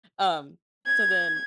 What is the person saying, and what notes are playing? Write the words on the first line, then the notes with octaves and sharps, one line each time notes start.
Um, so, then,
G#6